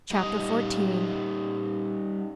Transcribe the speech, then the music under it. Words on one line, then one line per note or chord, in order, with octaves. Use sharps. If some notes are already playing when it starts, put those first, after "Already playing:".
Chapter XIV.
G3 D#4 D#5